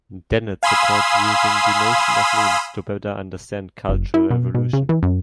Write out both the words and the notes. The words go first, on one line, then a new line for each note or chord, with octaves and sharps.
Dennett supports using the notion of memes to better understand cultural evolution.
F5 G#5 B5 C6 D#6 E6
F#1
E4
B2
B2
C#3
E3
F#2